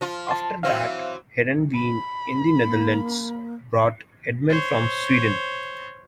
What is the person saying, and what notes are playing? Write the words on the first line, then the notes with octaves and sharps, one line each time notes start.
After that, Heerenveen in the Netherlands brought Edman from Sweden.
F3 F4
A5 C6
E3 F#3 C4 E5 F5
B5
A#3
C5 C#5